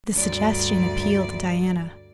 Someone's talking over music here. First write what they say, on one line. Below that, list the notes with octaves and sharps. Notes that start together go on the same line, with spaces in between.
The suggestion appealed to Diana.
D2 G2 D5